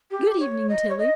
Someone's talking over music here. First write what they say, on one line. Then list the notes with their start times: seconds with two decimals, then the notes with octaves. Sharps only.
Good evening, Tilly!
0.11 G4
0.40 C#5
0.69 D#5
0.89 C#5
0.98 D#5